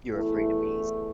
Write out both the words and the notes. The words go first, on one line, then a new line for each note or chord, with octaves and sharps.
You're afraid of bees.
E2 E3 A3 E4